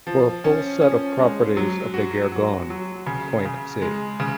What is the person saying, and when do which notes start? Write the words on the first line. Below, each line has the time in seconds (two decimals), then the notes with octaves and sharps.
For a full set of properties of the Gergonne point see.
0.07 F3
0.44 C#4
0.81 C#4
1.19 G#3
1.57 F#3
1.94 F#4
2.32 F#3
2.70 F#3
3.06 C#3
3.45 C#3
3.82 G#3
4.20 C#3